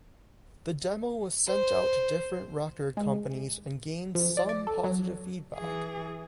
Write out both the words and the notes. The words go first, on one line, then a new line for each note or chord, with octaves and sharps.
The demo was sent out to different record companies and gained some positive feedback.
C5
G#3
F3
D5
D5
A4
F#3
E3 G#4